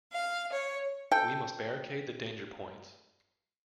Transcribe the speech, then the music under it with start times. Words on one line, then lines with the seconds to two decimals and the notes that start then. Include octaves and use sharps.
We must barricade the danger points.
0.12 F5
0.51 C#5
1.11 A4 G5